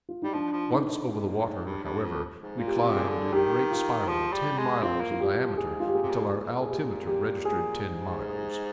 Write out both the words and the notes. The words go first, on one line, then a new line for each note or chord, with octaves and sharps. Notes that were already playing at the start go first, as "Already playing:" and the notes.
Once over the water, however, we climbed in a great spiral, ten miles in diameter, until our altimeter registered ten miles.
F4
G3 D#4
F3 D4
F3
D#3 D#4
D#3
D3
C3
A#2
G#2
G2
G2
F2
G#2
A#2 F4
G4
F4
C3
G#4
D3
D#3 G4
F4
F3 G#4
G3
G4
G#3
C4 F4
A#3
F4
G4
F3
G#2 G#4
F4
G4
A#2 G#4
C3
A#2
A#2 G#4
G#4
G4
G4
G#4
G#2